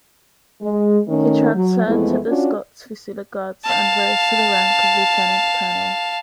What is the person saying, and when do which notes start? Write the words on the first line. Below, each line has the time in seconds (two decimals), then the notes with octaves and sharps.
He transferred to the Scots Fusilier Guards and rose to the rank of Lieutenant-Colonel.
0.61 G#3
1.08 D#3 A3 C#4
1.54 F#3
1.86 F2 E3 G#3 A3 B3 E4
2.27 C#4 D4 F4 F#4
3.65 F5 A5